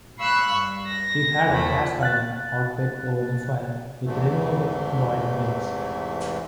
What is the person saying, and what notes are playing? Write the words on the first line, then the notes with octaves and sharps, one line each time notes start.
It had a cast-iron hotplate over the fire with removable boiling rings.
F5 B5 C#6 E6 F#6
G2
A#6
E2 A#2 F3 A3 B5
F5 F#6 A6
E2 G#2 C3 E3 A3